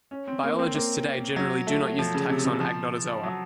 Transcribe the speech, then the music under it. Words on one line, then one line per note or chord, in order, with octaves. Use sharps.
Biologists today generally do not use the taxon Agnotozoa.
C#4
C4
A#3
C4
A#3
F#3
A3
F3
C#3
C3
C#3
F3
F#3